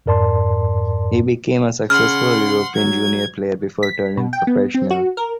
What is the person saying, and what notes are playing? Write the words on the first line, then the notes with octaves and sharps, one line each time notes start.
He became a successful European junior player before turning professional.
F2 G#2 A#4 D5 A5 C6
C#3 F#5 C6 F6
F#3 G#6
B6
B2
G5
B3
C4
F#4
A#4